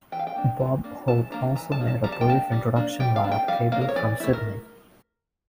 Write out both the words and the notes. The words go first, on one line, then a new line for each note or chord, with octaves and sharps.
Bob Hope also made a brief introduction via cable from Sydney.
E3 G5
F5
G5
A#3 D4
E3
A#3 D4
E3 A5
A#3 D4 A#5
E3 A#5
A5
A#3 D4
A5
G3 A#5
A5
G5
A#3 D4 A5
G3
A#3 D4
G3 G5
F5
D4
A#3 G5
G3 F5
A#3 D4 F5
A#4
C#5
E3 D5
A3 E4
A#4